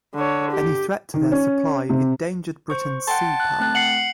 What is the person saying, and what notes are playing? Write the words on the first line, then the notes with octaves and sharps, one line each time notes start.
Any threat to their supply endangered Britain's sea power.
D3 C#5
G4
D#3
C#4
C3
C5 C#6
F#5 G5 A5 C6
F#6
A3 C4 F#6
F#5 C7 C#7 F#7